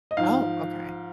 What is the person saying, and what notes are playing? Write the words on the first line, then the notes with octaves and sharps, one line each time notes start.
Oh, okay,
D#5
G#2 F3 F5